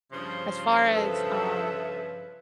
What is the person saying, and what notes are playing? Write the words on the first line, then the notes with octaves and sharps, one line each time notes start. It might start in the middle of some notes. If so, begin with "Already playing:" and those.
as far as, um,
G2 C#3 F3 C6
A4 B4 E5